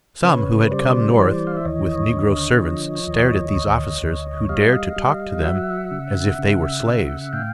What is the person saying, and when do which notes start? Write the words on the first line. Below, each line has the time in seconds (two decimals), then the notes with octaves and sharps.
Some who had come north with negro servants stared at these officers who dared to talk to them as if they were slaves.
0.24 C#3 B4 C#5
0.71 G3 C5 D5
1.18 E3 C5 D5
1.47 F5
1.57 E5
1.65 D#2 C#5 D#5
2.13 D3
2.60 F3
3.07 D#2
3.55 D2
4.02 D2
4.49 G3 D#5 F5
4.96 G3
5.44 F#3 E5 F#5
5.91 C#3
6.38 C#3
6.85 C#3
7.33 A2 F5 G5